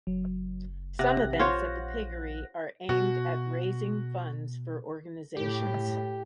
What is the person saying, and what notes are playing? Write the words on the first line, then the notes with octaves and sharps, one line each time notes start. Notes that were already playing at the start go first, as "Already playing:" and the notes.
Some events at the Piggery are aimed at raising funds for organizations.
F#1 F#3
C3 F#5 F#6 A#6
A#1
F4 C5 C#5
B2 F#4
A2 G4